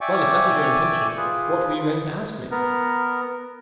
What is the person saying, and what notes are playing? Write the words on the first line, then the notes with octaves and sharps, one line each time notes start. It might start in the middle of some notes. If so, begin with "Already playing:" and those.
"Well, if that is your intention--what were you going to ask me?"
D5 E5 G5 G#5 C#6 D6
F4 G#4 B4
B3 A#4